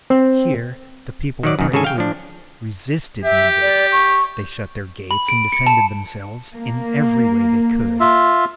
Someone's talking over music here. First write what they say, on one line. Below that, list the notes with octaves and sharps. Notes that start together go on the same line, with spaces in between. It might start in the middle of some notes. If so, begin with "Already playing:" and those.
Here the people bravely resisted the invaders. They shut their gates and defended themselves in every way they could.
C4
D#3 F#3 D5
F#2 D#3
G#1 C#3 A4 G#5
F5 G5
F3 D4
G4 E5
D5
C#6
B5
D7
C#7
A5
A#3
F4 E5